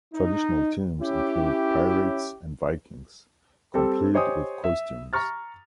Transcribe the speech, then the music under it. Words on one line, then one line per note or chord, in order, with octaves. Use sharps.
Traditional teams include Pirates and Vikings, complete with costumes.
D#4
C#4 E4 G4
G3 C4 G4 A4
G4 C5 C#5 D#5 G#5 D#6
E5
A#5 C#6 F6 A6